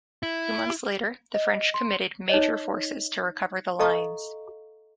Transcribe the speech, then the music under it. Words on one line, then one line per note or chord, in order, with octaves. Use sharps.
Two months later, the French committed major forces to recover the Lines.
E4
D#5
C6
D#4 C#5 D#5
A4 D#5 F5 A#5 C#6